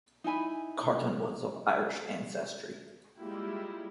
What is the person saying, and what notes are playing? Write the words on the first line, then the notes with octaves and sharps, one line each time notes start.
Carton was of Irish ancestry.
D#4 E4 G#5 B5
G3 G#3 A#3 E4 F4 G4